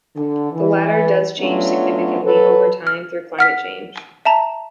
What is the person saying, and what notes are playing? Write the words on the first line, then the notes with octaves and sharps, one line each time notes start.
The latter does change significantly over time through climate change.
D3
E3
F#3 A3 B3 C#4 D4 F4
F#3 A4 B4
F6
F#5 F6 B6
E5 A5 A#5